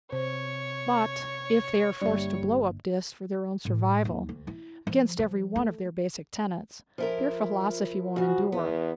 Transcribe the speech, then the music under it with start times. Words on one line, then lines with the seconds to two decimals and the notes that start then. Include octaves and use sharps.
But if they are forced to blow up Dis for their own survival--against every one of their basic tenets--their philosophy won't endure.
0.12 C3 C5 C#5
2.01 G1 G3 A#3 D4 D5 E5
3.65 A2
4.05 D#2
4.29 D2
4.47 E4
4.87 F3
5.19 F3
5.56 A3
6.98 F3 E4 A#4
8.16 C#3 F3 F#4
8.52 E2 B3